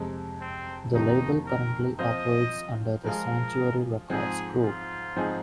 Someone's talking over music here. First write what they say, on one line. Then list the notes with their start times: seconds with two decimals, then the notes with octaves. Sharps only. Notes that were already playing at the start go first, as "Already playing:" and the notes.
The label currently operates under the Sanctuary Records Group.
Already playing: F2 C3 G#3
0.41 C4
0.93 F2 C3 D#3 A#3 D#4
1.46 A#4
1.99 F3 C4 F4 C5 D#5
3.04 F3 G#3 F4 G#4 A#4
4.10 G#2 F3 G#3 C4 G#4
4.63 F4
5.16 G#2 F3 C4 D#4 G#4